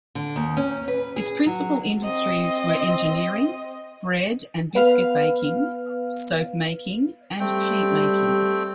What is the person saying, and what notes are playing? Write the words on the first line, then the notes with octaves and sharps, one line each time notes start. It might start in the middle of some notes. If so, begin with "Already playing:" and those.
Its principal industries were engineering, bread and biscuit baking, soap-making and paint-making.
D3
D#2
C#4
B4
G#4
F#3
C4 D#5
B3 B4 F5 F6
G3 A3 C4 G5